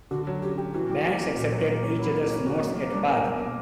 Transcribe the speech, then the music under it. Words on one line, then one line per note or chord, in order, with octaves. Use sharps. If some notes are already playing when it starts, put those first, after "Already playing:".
Banks accepted each other's notes at par.
D3 F#4
F#3
C#4 G4
G4
E3 F#4
G3
A#3
C#4
A#2
F#3
A#3
C#4
F#3 E4
A#3
C#4
F#4
F#3 A#3
A#3
G3 D4
A#4
B2 G3
A#3